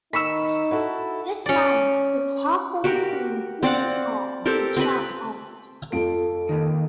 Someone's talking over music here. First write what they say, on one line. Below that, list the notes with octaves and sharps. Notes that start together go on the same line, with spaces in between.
This land was halfway between Kingshurst and Shard End.
D#3 D#4 B5 C#6 E6
E4 F#4 A4
C#4 D5
F#4 G4 A#4
C4 D5 F5 F#5
C4 G4 A4 A#4
C4 G4 B4 B5
F2 F4 A4 D7
D#2 D#3